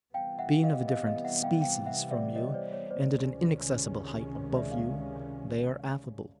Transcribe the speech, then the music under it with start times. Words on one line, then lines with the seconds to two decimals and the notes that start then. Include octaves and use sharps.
Being of a different species from you, and at an inaccessible height above you, they are affable.
0.14 C3 E3 G3 B3 F5 G5
0.39 E5 F#5
0.63 D#5 F5
0.88 D#5 F5
1.06 D#5 F5
1.24 E5 F#5
1.43 F5 G5
1.61 F5 G5
1.86 E5 F#5
2.11 D5 E5
2.36 C#5 D#5
2.54 C5 D5
2.73 C#5
2.91 C5 D5
3.09 C#2 C3 D#3 G#3 C#4
4.56 D5 E5
4.71 F5